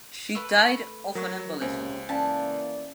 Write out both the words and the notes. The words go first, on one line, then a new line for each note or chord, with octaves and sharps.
She died of an embolism.
A3 B4
F#3 A#4 F#5 C#6
C#2 C3 A#3 C#4 C5 E5 G#5
E3 A#3 C#4 D5 F5 G#5 A5